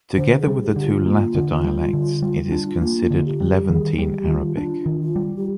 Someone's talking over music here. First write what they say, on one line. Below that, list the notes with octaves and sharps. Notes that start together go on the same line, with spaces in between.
Together with the two latter dialects, it is considered Levantine Arabic.
D3 C5
G#4
G3
G4
D3
F4
A#3
D3
G3
D3
G3
D4
A#3 F4
D3
G4
G3
D#3 G#4
G3 G4
D#3 F4
D4 F4
D#3
F4
G3
G4